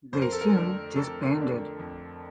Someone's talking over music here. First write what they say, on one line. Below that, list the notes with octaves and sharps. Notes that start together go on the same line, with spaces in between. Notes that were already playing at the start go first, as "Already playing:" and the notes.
They soon disbanded.
F2 C5
A#4
A4
A#4
D3 A3 D4
F2 A4
D3 A3 D4
F2